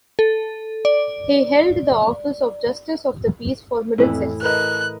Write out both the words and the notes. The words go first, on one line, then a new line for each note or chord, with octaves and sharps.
He held the office of Justice of the Peace for Middlesex.
A4
D5
F2 A2 E3 E4
A#4 B4 D#5 F#6